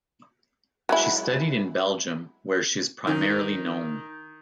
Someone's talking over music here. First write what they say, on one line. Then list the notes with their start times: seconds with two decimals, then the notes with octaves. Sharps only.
She studied in Belgium, where she is primarily known.
0.89 F#3 G#3 E4
3.07 D#3